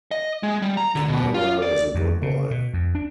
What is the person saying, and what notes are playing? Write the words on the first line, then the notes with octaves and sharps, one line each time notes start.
Immanuel is a good boy.
D#5
G#3
G3
A#5
D3
B2
F4
D5
F2
C#3
B2
F2
D4